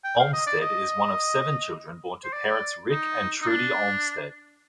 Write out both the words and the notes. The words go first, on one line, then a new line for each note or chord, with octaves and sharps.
Olmstead is one of seven children born to parents Rick and Trudy Olmstead.
G5
F5
D#5
D5
D#5
C5
D5
D#4
D#4
D4